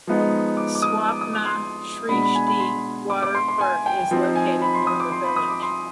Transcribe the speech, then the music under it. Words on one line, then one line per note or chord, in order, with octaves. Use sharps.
Swapna Shrishti Water Park is located near the village.
F3 G#3 B3 D#4
D6
D6
D#6
D6
D#6
D6
C6
B2 G#3 D4 B5
B5
G#5
B5
C6
D6
D6
C6
C6
G#5
G5
F3 C4 D#4
G#5
B5
C6
D#6
D6
C6
B5
D#6
D6
C6